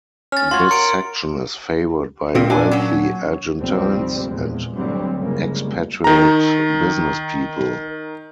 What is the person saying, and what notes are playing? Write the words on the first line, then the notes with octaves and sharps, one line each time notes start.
This section is favored by wealthy Argentines and expatriate businesspeople.
C#4 F6 A6
F4 F#4 C#5 C6
A#4 C#7 D7
A#2 C4
D4 G#5
F#3 C#4
D2 G#2 C3 F3 G3 C4
E2 A#2 G#3
D2 G2 F#3 G3 C4
F1 C#3 G3 G#3 A#3
D#3 A#5